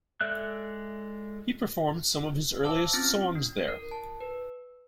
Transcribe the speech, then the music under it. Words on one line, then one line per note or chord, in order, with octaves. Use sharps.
He performed some of his earliest songs there.
G#3 A4 D5 E5 F#6
C5 F5 A5 D6 E6
C4 C#4 F4 F6 A6
D4
A#4
A5
B4